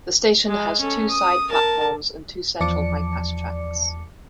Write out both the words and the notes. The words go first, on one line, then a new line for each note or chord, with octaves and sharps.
The station has two side platforms and two central bypass tracks.
G#3
C#4 A4
D#6
A#4 A5
E2 F3 D5 A5 D6 C#7